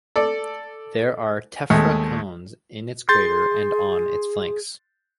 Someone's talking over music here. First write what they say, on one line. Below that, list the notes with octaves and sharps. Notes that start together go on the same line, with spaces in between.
There are tephra cones in its crater and on its flanks.
A4 D5
D#2 G#3 A3
G#4 C6 G6 A6